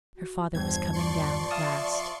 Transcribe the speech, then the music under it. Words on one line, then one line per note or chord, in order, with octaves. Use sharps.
Her father was coming down at last.
F#4
E2 G2 F3 G3 C5 G#6
C5 D5 C6 C#6
E5 F5 A5 D#6